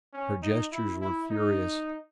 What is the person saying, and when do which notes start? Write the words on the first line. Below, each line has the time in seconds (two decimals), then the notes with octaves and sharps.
Her gestures were furious.
0.13 C#4
0.42 D#4
0.72 E4
1.01 E4
1.30 D#4